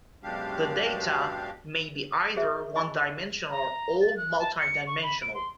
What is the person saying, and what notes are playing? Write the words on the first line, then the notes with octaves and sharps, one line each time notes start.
The data may be either one-dimensional or multi-dimensional.
F#2 B2 G#3 D4 G4 F5
F#4 G#4 C5 E5
D#4 D#5 G#5 C#6
A#5
A6
F#6
A5
C#7
C#6
B5
D7
C6